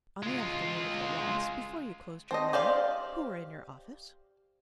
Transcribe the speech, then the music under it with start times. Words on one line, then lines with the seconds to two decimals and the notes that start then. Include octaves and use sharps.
"On the afternoon of the loss, before you closed your letter, who were in your office?"
0.23 G#3 F4
2.31 C4 A4 D#5
2.53 G4 C5 D5 F5